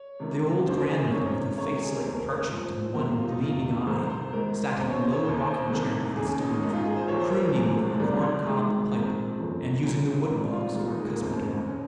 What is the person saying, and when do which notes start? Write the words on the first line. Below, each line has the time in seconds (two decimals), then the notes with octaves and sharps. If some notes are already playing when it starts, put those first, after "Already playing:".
The old grandmother, with a face like parchment and one gleaming eye, sat in a low rocking-chair by the stove, crooning over a corn-cob pipe and using the wood-box for a cuspadore.
Already playing: C#5
0.20 C#2 C3 D#3
0.66 D#2 C#3 C5
0.77 A#4
0.89 G#4
1.00 C5
1.11 C#2 C3 D#3 C#5
1.57 C#2 C3 D#3 C#5
1.73 G4
1.83 G#4
1.93 A#4
2.03 F1 D#2 C#3 C5
2.15 A#4
2.26 A#4
2.38 A#4
2.49 A#1 A#2 C5
2.95 G1 F2 C3 D#3 A#4
3.07 G4
3.18 F4
3.29 D#4
3.41 F1 F2 C3 D#3 F4
3.64 G4
3.87 C2 C3 D#3 C5
4.10 C5
4.33 G#1 G#2 D#3 A#4
4.79 D#2 C5
4.82 C#3
4.91 C#5
5.02 C5
5.13 C#5
5.25 D#2 D#3 C5
5.70 C2 C3 D#3
6.16 D#2 G#4
6.20 C#3
6.28 C#4
6.39 D#4
6.51 C#4
6.62 G#1 G#2 D#3 D#4
6.74 F4
6.85 G#4
6.96 C5
7.08 A#2 C#5
7.12 A#1
7.20 C5
7.31 A#4
7.42 A#4
7.54 C2 C3 D#3 G#4
7.66 C4
7.76 G#3
7.89 F3
7.94 G#3
8.00 C2 C3 D#3 G3
8.45 G#1 G#2 D#3 G#3
8.91 A#1 G#2 D#3 C4
9.38 G1 F2 C#3
9.83 C2 A#2 C#4
10.29 A#1 G#2 D#3 C4
10.41 G3
10.52 F4
10.64 G4
10.75 C2 A#2 F4
10.87 D#4
10.98 G#3
11.10 A#3
11.21 F1 D#2 C#3 C4
11.67 C#3 C#4